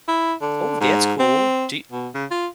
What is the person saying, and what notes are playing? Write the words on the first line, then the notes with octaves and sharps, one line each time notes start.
Oh, that's cool. Do y
E4
D3
G#2
C4
B2
C#3
F4